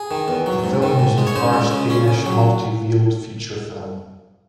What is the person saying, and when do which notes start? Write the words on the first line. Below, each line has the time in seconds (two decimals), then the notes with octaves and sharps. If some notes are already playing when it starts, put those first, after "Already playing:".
The film was the first Danish multi-reeled feature film.
Already playing: G#4
0.11 D#3
0.28 E2
0.46 F#3
0.64 G#2
0.82 D#3
0.99 G#2
1.18 G#3
1.27 C#5
1.36 C#3 C5
1.53 G#3
1.71 C#3
1.90 C#4
2.08 C#3
2.26 F#3